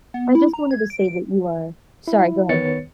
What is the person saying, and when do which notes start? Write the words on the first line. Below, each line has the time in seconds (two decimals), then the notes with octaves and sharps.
I just wanted to say that you are Sorry, go ahead.
0.14 B3
0.35 E4
0.53 A#5
0.71 G#6
0.90 D7
2.08 E4
2.49 D#3 B3 B4 C#5 A6 C#7